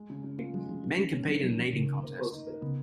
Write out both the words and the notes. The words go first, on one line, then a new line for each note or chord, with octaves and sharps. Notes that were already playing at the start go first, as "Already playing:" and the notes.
Men compete in an eating contest.
Already playing: G#3
C#3
C#3
A#3 F4
F#3 G#3
C#3 F3
D#3 F#3
G#3 C#4
B3 C#4
D#3 F#3
D#3 F#3
D#3 F3
C#3 A#3
A#3
A#3
A#3
D#4
A#4
C#3 B3